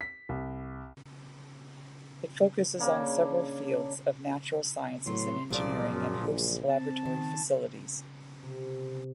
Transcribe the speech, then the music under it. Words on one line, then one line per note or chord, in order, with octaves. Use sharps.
It focuses on several fields of natural sciences and engineering and hosts laboratory facilities.
B6
C2
C#3 A#3 D4
A2 F#3 B3 C#5 C6
C2 A#2 F3 F#3 G#3 D5
F#2
A#1
C4 A5
D#3
C3